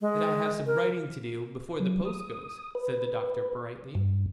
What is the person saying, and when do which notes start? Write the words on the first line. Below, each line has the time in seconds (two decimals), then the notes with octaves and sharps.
"That I have some writing to do--before the post goes," said the doctor brightly.
0.01 G#3
0.67 A#4
1.80 F#3
2.05 D#6
2.75 B4
3.95 G2